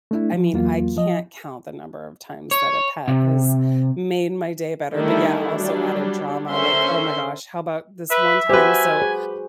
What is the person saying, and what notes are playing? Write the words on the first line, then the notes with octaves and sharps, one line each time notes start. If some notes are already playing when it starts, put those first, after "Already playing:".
I mean, I can't count the number of times that a pet has made my day better, but, yeah, also added drama, like, oh my gosh. How 'bout this one time, so,
A3 D4 E4
F3
E2 F#3 A#3 F4
F3 D#5
C#5
C3
D3 D#3 G3 A3 D#4 E4
F#3 G3 D4
D3 C#4 A#4 C5 E5 C6
B4 E5
F#4 G4 B4 C5 G#5
G#4